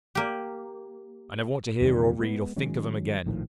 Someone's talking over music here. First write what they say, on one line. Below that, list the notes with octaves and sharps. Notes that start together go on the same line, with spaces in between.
I never want to hear, or read, or think of them again!'
A#3 G4
E2 C3 D#3 G3
G#3 B3
D#3 F#3 G#3 C#4
A#1 A2 D#3 F3